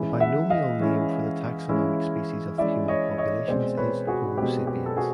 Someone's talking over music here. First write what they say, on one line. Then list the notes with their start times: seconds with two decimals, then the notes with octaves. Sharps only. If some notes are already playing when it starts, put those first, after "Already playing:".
The binomial name for the taxonomic species of the human population is "Homo sapiens".
Already playing: E3 G#3 C#4 E4
0.20 E5 F#5
0.50 D#5 F5
0.80 E3 G#3 C#4 E4
1.69 E3 G#3 C#4 E4
2.58 E3 G#3 C#4 E4 D5 E5
2.88 C#5 D#5
3.18 C#5 D#5
3.48 B2 G#3 C4 C5 D5
3.77 B4 C#5
4.07 F#4 G#4
4.38 B2 G#3 C4 G4
4.67 G4
4.86 A4
4.97 F#4 G#4